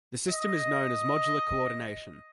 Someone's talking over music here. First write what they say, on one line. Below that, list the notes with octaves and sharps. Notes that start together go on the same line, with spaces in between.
This system is known as "modular coordination".
D#5